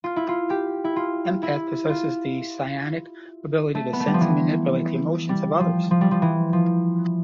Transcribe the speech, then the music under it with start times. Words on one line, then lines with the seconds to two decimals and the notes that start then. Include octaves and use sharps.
Empath possesses the psionic ability to sense and manipulate the emotions of others.
0.04 F4
0.16 E4
0.28 F4
0.50 G4
0.84 E4
0.96 F4
1.43 E4
1.89 F4
3.75 A3
3.93 B3
4.00 A3
4.07 G3
4.14 F3
4.21 E3
5.29 G3
5.60 F3
5.91 F3
6.01 G3
6.11 F3
6.22 E3
6.53 F3